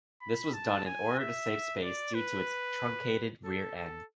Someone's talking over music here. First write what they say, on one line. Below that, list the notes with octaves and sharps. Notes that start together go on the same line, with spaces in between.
This was done in order to save space due to its truncated rear end.
B5
A5
G#5
E5
D5
B4
A4
A4